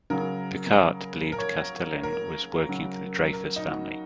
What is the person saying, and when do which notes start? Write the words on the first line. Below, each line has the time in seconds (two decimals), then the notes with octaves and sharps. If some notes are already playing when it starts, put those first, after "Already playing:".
Picquart believed Castelin was working for the Dreyfus family.
0.10 C#3 F#3 A#4
1.32 A#4
1.38 C#5
2.03 A#4
2.69 C#3 F#3
3.33 A#4
3.56 D#4
3.66 F#4